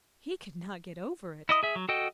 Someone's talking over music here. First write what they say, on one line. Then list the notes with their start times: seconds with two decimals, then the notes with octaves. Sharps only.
He could not get over it.
1.49 E4 D#5 D#6
1.63 G#4 E5
1.76 F#3
1.89 F#4 A4 D#5 G5